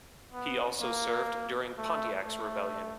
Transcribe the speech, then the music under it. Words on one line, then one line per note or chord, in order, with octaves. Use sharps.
He also served during Pontiac's Rebellion.
B3
A#3
A3
A3